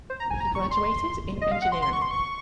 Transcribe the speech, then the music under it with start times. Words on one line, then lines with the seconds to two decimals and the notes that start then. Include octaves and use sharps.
He graduated in engineering.
0.10 C5
0.20 A#5
0.30 G#5
0.40 A#5
0.55 C#6
0.71 C6
1.41 D#5
1.52 F5
1.62 F#5
1.72 C6
1.82 C6
1.93 C#6
2.02 C6
2.11 C#6